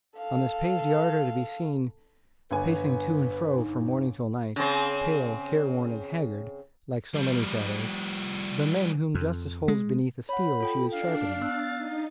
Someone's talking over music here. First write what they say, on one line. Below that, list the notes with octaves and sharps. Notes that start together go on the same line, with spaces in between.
On this paved yard are to be seen,--pacing to and fro from morning till night, pale, careworn, and haggard, like so many shadows,--the men whom justice holds beneath the steel she is sharpening.
A4 F5
G1 B4 G#5
B4
D#4
C#3 C4
F3 G3
F2
G#3
C#5 F#5 B5
F4 A4 G5
D4 F5
B3 E6 F#6 A6
D#4